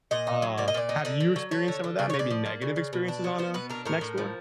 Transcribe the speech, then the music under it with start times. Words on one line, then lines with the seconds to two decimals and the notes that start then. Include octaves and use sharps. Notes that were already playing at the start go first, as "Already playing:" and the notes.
Uh, have you experienced some of that, maybe negative experiences on, uh, Nextdoor?
0.11 A#2 D#5
0.27 D#4
0.42 F#3
0.58 A#3 D5
0.68 D#5
0.74 A#2 D5
0.89 D#4
1.05 D3 D5
1.20 D3
1.36 F#3
1.51 A3 C#5
1.68 D3
1.84 D3
1.99 C#3 D5
2.10 C#5
2.14 C#3
2.19 D5
2.30 F3
2.46 A#3
2.62 C#3
2.76 C#3
2.93 B2
3.08 D4
3.24 F#3
3.38 B3 C5
3.54 B2 B4
3.69 D4 A#4
3.85 A2 A#4
4.01 A2
4.18 F3